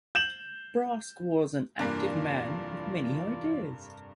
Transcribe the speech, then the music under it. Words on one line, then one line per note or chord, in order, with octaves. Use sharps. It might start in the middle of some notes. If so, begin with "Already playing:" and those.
Brask was an active man with many ideas.
G6 E7 F#7
F1 G2 E3 A#3 D4 F4 D5